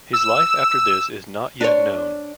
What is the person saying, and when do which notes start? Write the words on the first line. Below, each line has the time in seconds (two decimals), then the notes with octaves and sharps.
His life after this is not yet known.
0.13 E6
1.61 D4 C#5